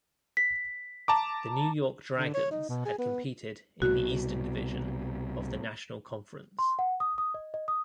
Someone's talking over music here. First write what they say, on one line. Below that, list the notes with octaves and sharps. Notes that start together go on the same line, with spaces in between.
The New York Dragons had competed in the Eastern Division of the National Conference.
B6
A5 A#5 D6
D3
C#5
D#4
B2
G#4
B3
C2 B2 F#4
C6
F#5
D#6
D#6
D#5
D#5
D#6